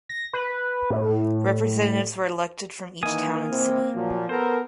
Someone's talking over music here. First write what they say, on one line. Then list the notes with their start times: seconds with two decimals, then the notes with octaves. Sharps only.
Representatives were elected from each town and city.
0.09 A#6
0.33 B4
0.91 A2
3.03 D#3 E3 A#3 D#4 G#5 D#6
3.50 C3 E3 C4
3.95 A#2 F3 F#3
4.29 B3 A4 A#4 C5